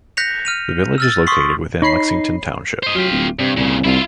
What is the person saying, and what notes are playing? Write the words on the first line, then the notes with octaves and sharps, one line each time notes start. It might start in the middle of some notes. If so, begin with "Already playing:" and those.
The village is located within Lexington Township.
F#6 G6 A#6 B6 C#7 F7
F6 D#7 F7
E6 F6 A6
C6 C#6 D#6 B6 C7 F#7
D#4 C#5 B5 C7
C5 D#5
F#3 F4 G4
D1
G2 C3
C2 A#2 C#3
C2 E4 F4